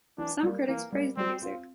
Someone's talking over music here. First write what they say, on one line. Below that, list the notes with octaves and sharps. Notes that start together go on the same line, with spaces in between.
Some critics praised the music.
E3 D4
G3 A#3
E3 A#3
G3 A#3
G3 C4
C4 F4